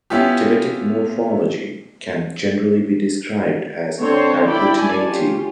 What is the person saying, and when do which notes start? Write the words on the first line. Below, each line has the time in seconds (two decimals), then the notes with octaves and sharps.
Tibetic morphology can generally be described as agglutinative.
0.10 B3 C#4 E4 F4 G4
3.99 D3 C4 A4 C5 C#5
4.45 E4 D5 G5 B5
4.77 D5 G#5 A5
5.09 C#4 F4 G4